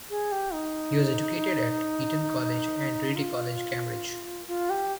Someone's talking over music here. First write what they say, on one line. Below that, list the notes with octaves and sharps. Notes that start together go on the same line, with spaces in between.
He was educated at Eton College and at Trinity College, Cambridge.
G#4
G4
D#4
F4
F4
G4